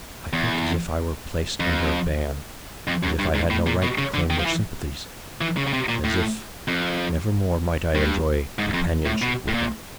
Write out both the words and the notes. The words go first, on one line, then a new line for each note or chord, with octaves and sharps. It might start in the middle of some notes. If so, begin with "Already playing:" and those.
I felt as if I were placed under a ban--as if I had no right to claim their sympathies--as if never more might I enjoy companionship with them.
E2
F2
F2
F#2
G2
G#2
A2
A#2
B2
C#3
D3
D#3
F3
E3
E3
C#3
C#3
C3
A#2
A2
F2
G2
G#2
F2
A2
B2
A2
A#2